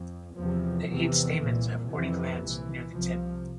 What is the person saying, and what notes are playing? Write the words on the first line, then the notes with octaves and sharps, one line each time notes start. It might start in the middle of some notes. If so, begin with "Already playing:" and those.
The eight stamens have warty glands near the tip.
Already playing: F2
E2 C3 F3
E2 C3 E3
C2 A#2
F2 C3 E3
C2 A#2 E3
C2 C3 F3